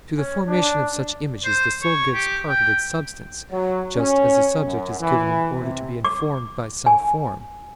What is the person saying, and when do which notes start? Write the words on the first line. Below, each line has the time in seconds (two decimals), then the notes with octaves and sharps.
To the formation of such images the soul gives part of its substance, just as a subject is given in order to be informed by some form.
0.17 C#4
0.47 D4
1.45 C5
1.82 C#5
2.14 G4
2.49 G5
3.51 F#3
3.96 C#4
4.63 F#2
4.99 E3
5.58 C3
6.05 D6
6.86 G#5